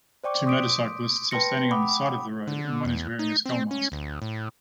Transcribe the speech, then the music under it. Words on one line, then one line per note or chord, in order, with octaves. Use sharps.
Two motorcyclists are standing on the side of the road and one is wearing a skull mask.
C5 D5 G5 C#6 D6
C6 D6 D#6 G6 B6 D7
B4 G5 A5 C6 A#6 C#7
F#5 G5 B5 D6 D#6
D3
E2
D#4
C4
C#4
D2
A2